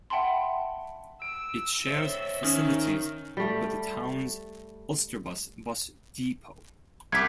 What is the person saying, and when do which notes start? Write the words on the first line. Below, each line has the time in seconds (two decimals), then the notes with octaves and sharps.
It shares facilities with the town's Ulsterbus bus depot.
0.10 E5 F#5 G5 A5 B5 C6
1.22 E6 D7
1.87 C5 C#5 E5
2.44 D#3 C#4
3.37 G3 A3
7.12 C2 D6 G#6 B6